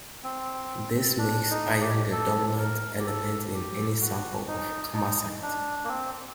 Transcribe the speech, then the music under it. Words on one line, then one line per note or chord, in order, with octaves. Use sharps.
This makes iron the dominant element in any sample of kamacite.
C4
D4
D#4
G4
A4
A#4
G4
A4
G4
F#4
D#4
D#4
D4
A#3
C4